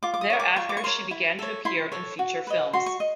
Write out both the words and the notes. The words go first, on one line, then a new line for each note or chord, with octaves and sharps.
Thereafter, she began to appear in feature films.
F4 D6
D6
D#6
A#4 C#5
D6
F4 C#6
D6
C#6
A#4 C#5 C6
E4
A4 C#5
E4 C6
A4 C#5
F#4
B4 D#5
F#4 C6
C#6
D#5